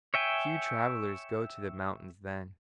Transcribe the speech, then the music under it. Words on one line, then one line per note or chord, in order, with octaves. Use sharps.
Few travellers go to the mountains then.
C#5 E5 G5 G#5